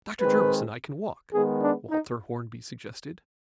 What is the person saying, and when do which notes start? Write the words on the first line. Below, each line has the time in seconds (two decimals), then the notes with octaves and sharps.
"Dr. Jervis and I can walk," Walter Hornby suggested.
0.21 D#3 G#3 C4 B4
1.33 D#3 G#3 B3 G#4
1.62 D4
1.90 D#4